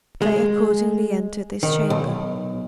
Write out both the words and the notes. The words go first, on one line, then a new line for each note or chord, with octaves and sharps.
They accordingly entered his chamber.
G#3
D#3
B1